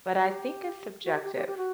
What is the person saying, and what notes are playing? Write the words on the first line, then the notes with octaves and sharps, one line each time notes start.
but I think it's subjective,
G4
F#4
G4
G4
G4
G4
F#4